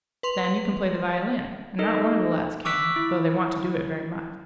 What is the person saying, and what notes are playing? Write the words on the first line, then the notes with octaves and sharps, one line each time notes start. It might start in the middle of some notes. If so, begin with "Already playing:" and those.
Then, you can play the violin, and not one of the lads can, though they want to do it very much.
B4 C6 F7
D#4 A4 A#4 D#5
C#6 D6 E6 F#6 B6
E4